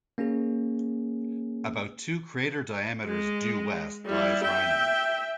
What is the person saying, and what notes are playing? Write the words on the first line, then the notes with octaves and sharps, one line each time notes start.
About two crater diameters due west lies Rynin.
A#3 C#4 F#4 G#4
G#3
G3 E4
E5 G5